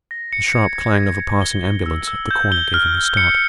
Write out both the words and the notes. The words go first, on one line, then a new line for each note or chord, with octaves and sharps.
The sharp clang of a passing ambulance at the corner gave him a start.
A#6
C#7
G#6
G#6
G#6
C#7
G7
G7
E6
E6
G6
G7
F6
F6
C#7